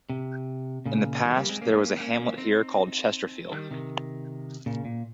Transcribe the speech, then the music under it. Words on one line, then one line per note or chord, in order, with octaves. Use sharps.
In the past there was a hamlet here called Chesterfield.
C3
A#2 C#3
D#3 G3
G3 A#3
G#3 C4
A#3 C#4
A#3 C#4
C4 D#4
D#3 G3
C3 D#3
A#2 C#3
A#2